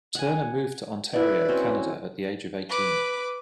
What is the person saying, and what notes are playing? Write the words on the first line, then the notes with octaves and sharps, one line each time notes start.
Turner moved to Ontario, Canada at the age of eighteen.
F#5 G#5
E4 B4 D5
C4 C#4 F#4
B4 D6